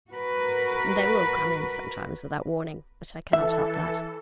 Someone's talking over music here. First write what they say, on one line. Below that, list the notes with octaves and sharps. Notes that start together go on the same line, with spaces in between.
They will come in sometimes without warning; but I cannot help that.
F#4 A#4 B4
E3 A4 E5